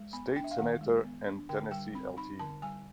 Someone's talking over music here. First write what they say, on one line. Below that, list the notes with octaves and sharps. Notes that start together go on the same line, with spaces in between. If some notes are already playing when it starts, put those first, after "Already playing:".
State Senator and Tennessee Lt.
Already playing: G#3
B3 B5
D4 G5
E5
F5
D#3 F#5
G#3
B3
D4
D3 G5
G3 G5
C4 B5
D#4 B5
D3 A5
G3 G#5